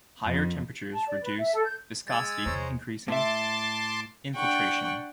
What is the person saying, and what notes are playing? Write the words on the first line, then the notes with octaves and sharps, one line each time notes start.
Higher temperatures reduce viscosity, increasing infiltration.
F2
A5
D5
B4
E5
A4
G6
G#3 E6 G#6 A6
E2 C3 C5 C#5 A#5
A2 E5 A5 C6 D6
D4 F#5 G5 C#6